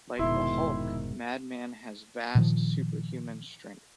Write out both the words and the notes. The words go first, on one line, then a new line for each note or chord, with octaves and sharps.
Like the Hulk, Madman has vast superhuman strength.
F1 G#2 B2 D#3 E4 C6
A#2 D#3 F3